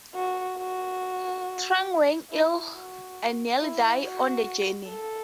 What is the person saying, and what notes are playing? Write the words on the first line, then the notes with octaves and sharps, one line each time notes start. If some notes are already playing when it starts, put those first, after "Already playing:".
Trang was ill and nearly died on the journey.
F#4
F#4
E4
F#4
E4
F#4
A4